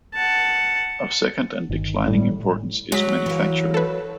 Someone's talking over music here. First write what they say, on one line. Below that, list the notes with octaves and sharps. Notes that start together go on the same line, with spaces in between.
Of second and declining importance is manufacturing.
F#5 A5
G1 D#3
A2 G3
F#3 G#3 B6
E3 A#3
A4 B4